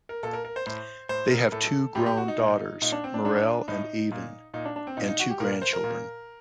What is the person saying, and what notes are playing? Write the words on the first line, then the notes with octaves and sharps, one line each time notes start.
They have two grown daughters, Morel and Aven, and two grandchildren.
A#4
A#2 A4
A#4
A#4
C5
A2 C5
A2 C5
A#4
A2 A4
A2 G4
G4
F#4
D#4
A#2
A#2 D#4
D4
C4
D4
A2 D4
A2 D#4
A#2
A#2 D#4
D4
D4
C4
A#2 D#4
D#4
F#4
G4
A#2 A#4
A#4
C5
A#4
A#2